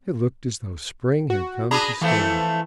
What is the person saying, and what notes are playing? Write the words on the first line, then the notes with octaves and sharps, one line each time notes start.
It looked as though spring had come to stay.
F#4
D4 G#4 A#5 B5 D#6
E3 F3 A3 C4